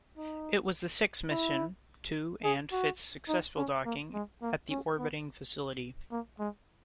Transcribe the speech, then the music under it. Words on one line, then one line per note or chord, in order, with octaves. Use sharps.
It was the sixth mission to and fifth successful docking at the orbiting facility.
D#4
E4
G#4
F#4
D#4
C#4
A#3
G#3
A#3
C#4
B3
A#3
G#3